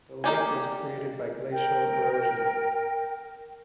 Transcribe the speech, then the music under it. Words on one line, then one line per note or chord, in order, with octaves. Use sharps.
The lake was created by glacial erosion.
A#3 D#4 G4 D5 G#5
A#4 G5